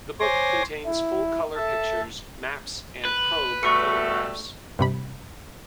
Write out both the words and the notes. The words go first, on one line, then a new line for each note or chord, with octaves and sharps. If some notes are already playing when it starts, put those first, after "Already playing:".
The book contains full-colour pictures, maps and probe photographs.
C5 C#5 G#5 C6 D6 A#6
E4
A4 E5 A5
B4
B2 G3 A3 C#6 C#7
G2 C3 B5